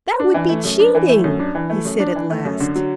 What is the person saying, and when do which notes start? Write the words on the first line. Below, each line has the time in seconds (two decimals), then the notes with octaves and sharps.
"That would be cheating," he said at last.
0.20 D4
0.34 E3
0.49 A3
0.65 F#2
0.80 D4
0.95 E3
1.09 A3
1.24 F#2
1.40 D4
1.55 E3
1.70 A3
1.85 F#2
2.00 D4
2.15 E3
2.30 A3
2.45 F#2
2.60 D3
2.75 F#3